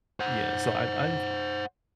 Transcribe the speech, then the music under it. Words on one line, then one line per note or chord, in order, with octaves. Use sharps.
Yeah, so, I've I've
C5 F#5